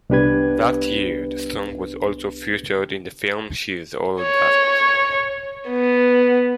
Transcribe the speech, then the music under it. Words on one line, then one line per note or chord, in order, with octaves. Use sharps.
That year the song was also featured in the film "She's All That".
C2 B3 D4 G4 B4 G#6
C#5
B3